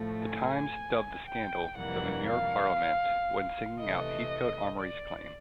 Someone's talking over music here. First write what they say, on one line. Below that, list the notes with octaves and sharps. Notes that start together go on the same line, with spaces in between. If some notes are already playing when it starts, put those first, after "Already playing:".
"The Times" dubbed the scandal 'The Manure Parliament' when singling out Heathcoat-Amory's claim.
Already playing: A2 F3 A3
G#5
G5
F2 C3 E3 G3 A#3 F#5
F5
C3 E3 A3 D#5
D5